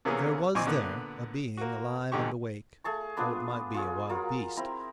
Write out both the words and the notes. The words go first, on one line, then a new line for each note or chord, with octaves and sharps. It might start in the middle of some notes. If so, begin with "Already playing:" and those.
There was there a being alive and awake, though it might be a wild beast.
C3 E3 A#3 B3 C#4 G#4
A#1 C4 D#4 G#5 C#6 D6
A#2 D3 B3
A#3 F#4
E2 G#2 D3 D#4 G4 C#6
A3 G#4 A5 C#6
B3 D4 F4 B4
F4 G#4 C#5
F#3 F4 A#4
C4 E4 A#5 C6